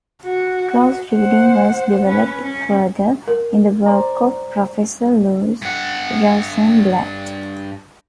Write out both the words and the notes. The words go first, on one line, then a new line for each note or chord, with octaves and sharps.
Close reading was developed further in the work of Professor Louise Rosenblatt.
F#4
C5 F#5
C#4 B4
C#4
A#4
C5 D5 A#5
G2 F#5